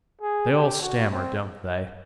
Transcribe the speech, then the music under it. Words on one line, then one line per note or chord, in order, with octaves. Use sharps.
"They all stammer, don't they?"
G#4
G4
F#4
C4